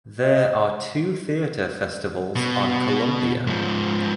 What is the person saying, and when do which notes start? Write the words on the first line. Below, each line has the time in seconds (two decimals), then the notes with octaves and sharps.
There are two theatre festivals on Columbia.
0.23 D#5
2.36 B2
3.47 G#2 F3